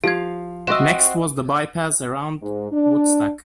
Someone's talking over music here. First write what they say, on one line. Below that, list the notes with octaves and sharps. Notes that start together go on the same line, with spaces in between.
Next was the bypass around Woodstock.
F3 G4 F5 G#6
C4 F#4 D#5 E5 E6 E7
G#2
D4